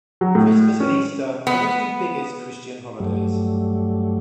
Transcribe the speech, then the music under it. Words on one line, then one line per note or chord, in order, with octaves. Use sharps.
Christmas and Easter are the two biggest Christian holidays.
F#3
A2
C#4
B3
G2 F#3 G3 A3